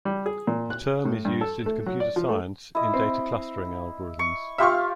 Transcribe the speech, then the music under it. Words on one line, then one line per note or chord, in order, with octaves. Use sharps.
The term is used in computer science in data clustering algorithms.
G3
G#4
A#2
F#6
A2
G2
A4
A3
F#3
D5
F3
A3
E4 D#5
C4
C#6
F4 G4 E5 F5 C6 C#6